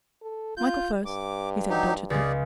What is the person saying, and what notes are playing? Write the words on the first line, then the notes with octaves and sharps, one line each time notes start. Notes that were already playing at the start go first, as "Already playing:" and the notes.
"Michael first," he said doggedly.
A4
F4 G6
G2 D6
F#3 D#4 G4
C#2 C#3 G#4 D5